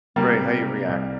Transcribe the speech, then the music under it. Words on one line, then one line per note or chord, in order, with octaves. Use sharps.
Right, how you react?
C3 G3 A#3
C3
C3
C2